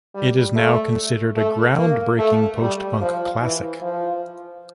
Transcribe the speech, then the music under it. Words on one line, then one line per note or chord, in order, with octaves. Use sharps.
It is now considered a groundbreaking post-punk classic.
G3
A3
A3
A#3
A3
G3
F3
E3
F3